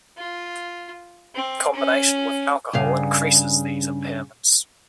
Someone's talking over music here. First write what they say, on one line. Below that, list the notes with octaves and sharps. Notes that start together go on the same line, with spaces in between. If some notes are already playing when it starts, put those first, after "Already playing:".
Combination with alcohol increases these impairments.
F4
C4
C#4
G2 C#3 F5